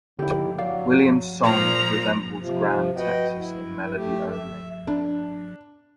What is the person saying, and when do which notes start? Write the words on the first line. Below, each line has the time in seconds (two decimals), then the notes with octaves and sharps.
Williams' song resembles "Grand Texas" in melody only.
0.19 D#2 D3 E4 G4
0.58 F#3 D4 F5
1.43 A#2 F3 A#5
2.38 C3 F3
2.97 F#4 B4 D#5 F#5 G5
3.38 E4
3.95 A3 G4
4.30 E5
4.87 D4